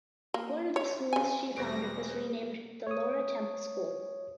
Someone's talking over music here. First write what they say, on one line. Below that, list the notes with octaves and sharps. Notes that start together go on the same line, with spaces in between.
One of the schools she founded was renamed the Laura Temple School.
A#3
C#5
C#3 G#5
E2 B2 G3 G#4 B4 C5 A#6 D7
C#5 D#6